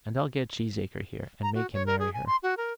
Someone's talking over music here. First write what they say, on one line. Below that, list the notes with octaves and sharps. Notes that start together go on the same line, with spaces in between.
And I'll get Cheesacre here, and make him marry her.
A#5
F#4
C#5
A#4
G#4
G#5
C6
F#4
A#4